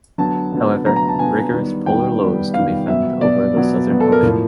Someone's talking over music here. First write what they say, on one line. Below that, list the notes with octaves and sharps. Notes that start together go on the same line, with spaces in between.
However, vigorous polar lows can be found over the Southern Ocean.
D3 F#3 B3 A5
D3 F#3 B3
D3 F#3 B3 A#5
A#5
A5
D3 F#3 B3 G#5
D#3 G3 B3
D#3 G3 B3 G5
D#3 G3 B3
D#3 G3 B3 F5
B2 F#3 B3 E5
B2 F#3 B3 D5
B2 F#3 B3
B2 F#3 B3
A4
A#4
A2 F3 A#3